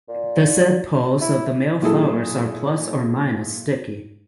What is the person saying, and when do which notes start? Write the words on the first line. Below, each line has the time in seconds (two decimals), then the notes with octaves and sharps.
The sepals of the male flowers are plus or minus sticky.
0.08 A#2
1.21 E4
1.82 A#2 F#3 E4 G#4 A4